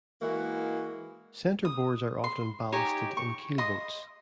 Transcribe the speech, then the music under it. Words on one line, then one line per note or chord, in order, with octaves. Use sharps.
Centreboards are often ballasted in keelboats.
E3 G#3 A#3 E4 F#4
D#6
C6
D#4 G4 C#5 G#5
C#6
D#5 C6 D#6